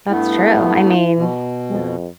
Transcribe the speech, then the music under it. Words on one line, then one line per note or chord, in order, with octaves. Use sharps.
That's true. I mean, yeah.
G2 A3 B3 E4
B2
F2